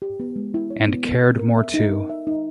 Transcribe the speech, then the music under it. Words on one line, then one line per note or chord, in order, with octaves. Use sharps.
And cared more too.
G4
B3
G#3
E4
C#5
B3
B3
A#4
A#4
E5
D#4
A#4
E5
D#4